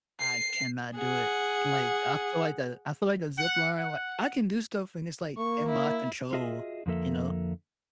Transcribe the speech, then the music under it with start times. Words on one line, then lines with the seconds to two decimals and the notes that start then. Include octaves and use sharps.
I cannot do it, like, I feel like the I feel like the zipline, like I can do stuff when it's, like, in my control, you know?
0.20 C7
0.97 G#4 F#5
3.38 F#5
3.78 F#5
5.37 A#3 C#6
5.68 E4
6.33 F4 F#4 G#4 D#5 E5
6.86 F2 D3 F3 A#3 A4 E5